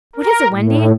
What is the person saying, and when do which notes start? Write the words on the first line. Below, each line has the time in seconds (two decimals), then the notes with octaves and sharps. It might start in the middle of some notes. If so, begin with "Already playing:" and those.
"What is it, Wendy?"
0.16 A#4
0.52 A2